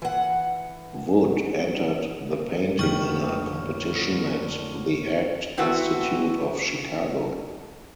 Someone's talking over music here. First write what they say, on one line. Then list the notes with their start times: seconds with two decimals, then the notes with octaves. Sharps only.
Wood entered the painting in a competition at the Art Institute of Chicago.
0.02 E3 F#5
2.79 F2 A2 D3 D#3 C#6 F6
5.57 C4 E4 F#4 A4 B4